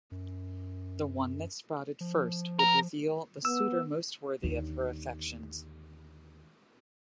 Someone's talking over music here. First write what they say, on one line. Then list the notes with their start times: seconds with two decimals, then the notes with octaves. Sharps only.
The one that sprouted first would reveal the suitor most worthy of her affections.
0.12 F#2
2.01 F3
2.59 A#4
3.45 B3 E6
4.43 D#2 D3